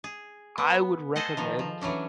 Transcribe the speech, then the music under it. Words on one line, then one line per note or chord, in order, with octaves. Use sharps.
I would recommend
G#4
B3
G#4 A4 C5 D#5 F#5
B2 D#3 F3
F3
E3 F#3 C#4 D4